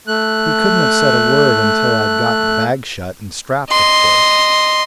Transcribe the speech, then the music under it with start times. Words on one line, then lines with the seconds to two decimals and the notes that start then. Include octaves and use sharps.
He couldn't have said a word until I'd got the bag shut and strapped, of course.
0.08 A3 F#6
3.71 D#5 C6